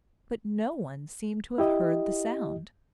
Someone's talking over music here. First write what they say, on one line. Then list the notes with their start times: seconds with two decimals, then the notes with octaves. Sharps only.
But no one seemed to have heard the sound.
1.58 E4 G4 D#5